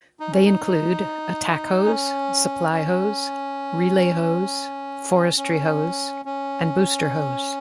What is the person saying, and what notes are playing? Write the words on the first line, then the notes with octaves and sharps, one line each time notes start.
They include attack hose, supply hose, relay hose, forestry hose, and booster hose.
D#4
C#4
D#4
C#4
C#4
C#4
C#4